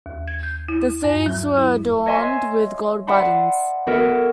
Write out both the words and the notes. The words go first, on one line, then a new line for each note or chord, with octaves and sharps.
The sleeves were adorned with gold buttons.
D#2
G#6
G6
E4
G2
F#3
E4
C#5 D#5 E5 G#5 C6
D5 E5 F#5 A5 B5 C6
B3 F#4 A4 A#4 E5